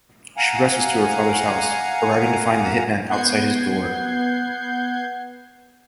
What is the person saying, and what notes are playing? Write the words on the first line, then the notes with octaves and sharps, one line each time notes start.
She rushes to her father's house, arriving to find the hitman outside his door.
F5 F#5 G#5 A#5
B3 F#5 G6 G#6 C7